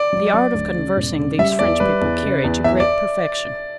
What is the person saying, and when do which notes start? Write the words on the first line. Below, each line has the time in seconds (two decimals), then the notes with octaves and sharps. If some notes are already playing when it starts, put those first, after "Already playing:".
The art of conversing these French people carry to great perfection.
Already playing: D5
0.13 F#3
0.34 F#3
0.54 D2
0.76 C#3
0.97 E1
1.18 C#3
1.39 G3 E5
1.59 E2 D5
1.80 G3 B4
2.01 E2
2.23 C#3
2.44 E2
2.64 E2 E5
2.80 D5